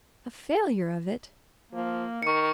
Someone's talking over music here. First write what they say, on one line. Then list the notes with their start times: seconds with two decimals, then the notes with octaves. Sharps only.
"A failure of it!"
1.73 F3 A#3
2.23 D#3 C#6 C#7